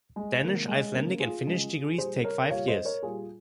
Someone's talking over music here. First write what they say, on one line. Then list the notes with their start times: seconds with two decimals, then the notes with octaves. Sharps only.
Danish, Icelandic and Finnish degrees take five years.
0.16 G#3
0.42 C3 D#3 G#3 A#3
0.68 G#3
0.94 C#3 G#3 A#3
1.20 F4 G#4
1.47 C#3 G#3
1.98 A#2 G3 G#4 C5
2.24 A#4 C#5
2.50 A#2 G3 C#5 F5
2.68 C5 D#5
2.85 A#4 C#5
3.03 A#2 G3 F4 G#4